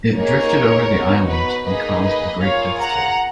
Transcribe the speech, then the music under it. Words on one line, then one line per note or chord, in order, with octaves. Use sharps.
It drifted over the island, and caused a "Great death toll".
A#3 D#4 G#4 A#4 C#5
B3 D#4 F#4
B4
A#3 D#4 G#4 B4 D#5
B4 D#5
A#3 F4 G#4 C#5 F5
F#5 A#5